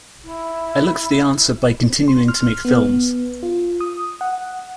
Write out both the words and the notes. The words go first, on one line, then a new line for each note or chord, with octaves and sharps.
I look for the answer by continuing to make films.
E4
C6
F6
B3
F4
D#6
F#5